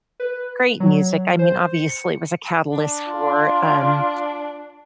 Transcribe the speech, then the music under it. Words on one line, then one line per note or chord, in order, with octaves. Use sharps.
great music, I mean, obviously, it was a catalyst for, um,
B4
F#3
C5
C#7
D4
F4